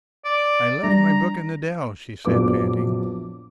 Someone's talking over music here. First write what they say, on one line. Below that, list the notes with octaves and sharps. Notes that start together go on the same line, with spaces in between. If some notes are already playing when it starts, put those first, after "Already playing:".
"I left my book in the dell," she said, panting.
D5
G3 D4 A#5
A#1 F#2 B3 D6